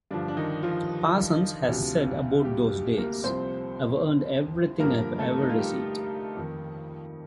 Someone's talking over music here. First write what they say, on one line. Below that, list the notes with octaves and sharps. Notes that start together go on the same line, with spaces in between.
Parsons has said about those days, I've earned everything I've ever received.
G2 D3 F3 D4
D4
D#3 D#4
F3 F4
D2 C3 F3
G3 G4
A#3 A#4
C2 C3 F3 C4 C5
G2 D3 F3 A#3 A#4
A3 A4
D#4
F4
G3 G4
F2 D#3